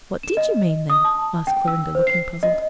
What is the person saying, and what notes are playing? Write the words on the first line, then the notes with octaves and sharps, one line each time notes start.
"What did you mean, then?" asked Clorinda, looking puzzled.
E7
D#5
D#6
A5
G5
E6
C5
C7
D#5